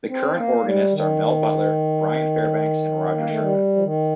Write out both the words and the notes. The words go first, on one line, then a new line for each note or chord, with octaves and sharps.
The current organists are Mel Butler, Brian Fairbanks, and Roger Sherman.
C4
A#3
G3
D#3
A#3
A3
G3
F3
D#3